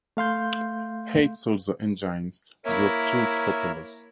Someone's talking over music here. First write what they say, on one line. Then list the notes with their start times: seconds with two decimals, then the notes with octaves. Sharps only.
Eight Sulzer engines drove two propellers.
0.17 A3 F5 C6 G6
2.65 A#3 E4 A#4 C#5 E5